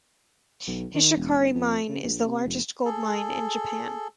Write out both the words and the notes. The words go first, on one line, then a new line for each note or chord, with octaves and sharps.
Hishikari mine is the largest gold mine in Japan.
B1
D#3
E1
G1
F2
C#3
A#1
C3
F1
G#4 A4